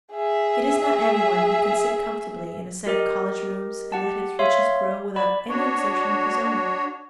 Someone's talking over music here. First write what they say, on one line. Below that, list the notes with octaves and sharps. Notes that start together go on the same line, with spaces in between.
'It is not every one who can sit comfortably in a set of college rooms, and let his riches grow without any exertion of his own.
G#4 E5
G4 A#4 D#5
G4 F#5 A5
C#5 E5 F5 C6
D5 B5
D4 F#4 C#5